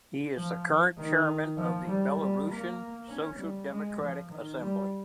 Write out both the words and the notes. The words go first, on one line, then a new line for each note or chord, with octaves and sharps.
He is the current chairman of the Belarusian Social Democratic Assembly.
F3
D#3
F3
G3
G3
A#3
C#4
G3
G#3
F3
D#3
G3